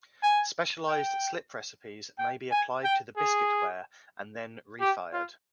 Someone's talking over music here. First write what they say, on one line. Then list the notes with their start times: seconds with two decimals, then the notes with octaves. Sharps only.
Specialized slip recipes may be applied to biscuit ware and then refired.
0.23 G#5
0.88 G5
2.18 G5
2.51 G#5
2.84 G5
3.17 G#4
4.80 G4
5.13 F4